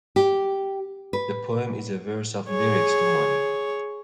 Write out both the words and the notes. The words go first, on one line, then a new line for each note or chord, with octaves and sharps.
The poem is a verse of lyrics to "Money".
G4
B4
G#4 C#5